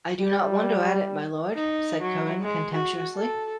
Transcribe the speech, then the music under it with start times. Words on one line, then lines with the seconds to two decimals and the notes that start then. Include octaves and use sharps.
"I do not wonder at it, my lord", said Curran contemptuously.
0.19 G3
1.55 D#4
2.01 F#3
2.42 G#3
2.74 F#4
3.15 A4